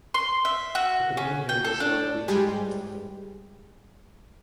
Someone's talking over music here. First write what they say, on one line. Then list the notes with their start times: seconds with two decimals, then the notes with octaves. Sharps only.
I could only hear myself breathing in the helmet.
0.14 C6
0.45 E5
0.75 F#4
1.17 C#4
1.49 G5
1.65 A4
1.80 D4
2.28 G3 G#3 G4 G#4